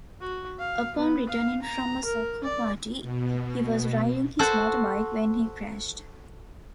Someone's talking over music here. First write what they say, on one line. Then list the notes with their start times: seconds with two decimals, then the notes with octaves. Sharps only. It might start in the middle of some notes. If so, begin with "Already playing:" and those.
Upon returning from a soca party he was riding his motorbike when he crashed.
0.21 F#4
0.59 F5
0.96 B3
1.29 F5
1.62 A#5
2.05 A#4
2.43 D5
3.02 B2
4.39 F#4 A4 C5 F#5